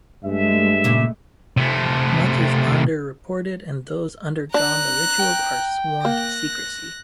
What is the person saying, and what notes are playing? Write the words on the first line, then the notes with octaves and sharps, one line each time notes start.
Much is underreported and those undergone the ritual are sworn to secrecy.
G2 G#3 A3 E5
A#2 C#3
C3 A3
D4 A#5 F#6
G5
A#3 F#6 A#6